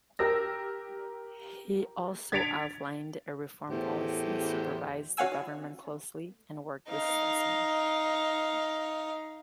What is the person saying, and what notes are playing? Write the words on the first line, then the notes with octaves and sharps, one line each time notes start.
He also outlined a reform policy, supervised the government closely, and worked with statesmen.
G4 A#4 E6 A#6
G#6 A6 B6 C#7 D7 F7
E2 A2 G4 C5
F#4 C#5 F5 F#5 G#5 E6
D#4 F5